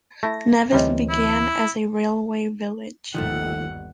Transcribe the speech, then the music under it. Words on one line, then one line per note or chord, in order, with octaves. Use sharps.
Nevis began as a railway village.
A3 E4 A#6
D2 C3 E3 G3 C4 C#5 D#5
E4
G1 D#2 D#3 F3 A3 F#5